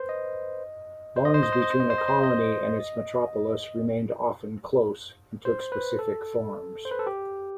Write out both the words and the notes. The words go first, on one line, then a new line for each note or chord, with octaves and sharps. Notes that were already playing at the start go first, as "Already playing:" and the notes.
Bonds between a colony and its metropolis remained often close, and took specific forms.
Already playing: B4 C5
D#5
C5
D#5
C5
D#5
C5
D#5
C5
D#5
C5
D#5
C5
D#5
C5
B4
A4
C5
B4
A4
G4